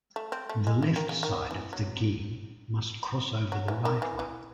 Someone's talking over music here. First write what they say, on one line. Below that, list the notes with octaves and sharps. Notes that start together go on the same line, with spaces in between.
The left side of the gi must cross over the right one.
A3
C4
A3
G#3
E3
D#3
C#3
D#3
E3
F#3
F#3
E3
D#3
E3
E3